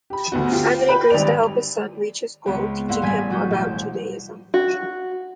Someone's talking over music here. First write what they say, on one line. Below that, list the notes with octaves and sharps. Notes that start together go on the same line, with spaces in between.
Hyman agrees to help his son reach his goal, teaching him all about Judaism.
G4 B5
D2 B3 F#4
F4 G4
B4 G5 B5
G#1 G3 D5 F7
C#2 B3 C4
G2 A#3 E4 F#5 C6
A1 G3 D4 G#5 G#6 B6
F#3 F#4 G6
E1 D6 G6 E7
F#4